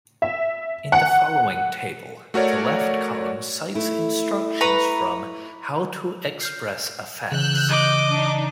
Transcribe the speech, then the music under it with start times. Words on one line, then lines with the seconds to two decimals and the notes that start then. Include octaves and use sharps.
In the following table, the left column cites instructions from how to express affects.
0.22 E5
0.92 F#5
2.34 A3 F#4 A#4 C#5 D5
3.75 A3 E4
4.61 B4 A#5 C#6
6.41 F6 G6 C7
7.32 C#3 E3 E6 F#6 G6
7.69 D#5 D6
8.11 D4 D#4